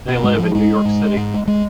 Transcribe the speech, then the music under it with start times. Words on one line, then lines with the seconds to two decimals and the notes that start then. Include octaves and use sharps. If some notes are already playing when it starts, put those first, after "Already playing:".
They live in New York City.
0.08 B2
0.23 G#2 G#3
0.39 F3
0.55 G#2 G#3
0.85 G#2
1.17 G#2
1.48 G#3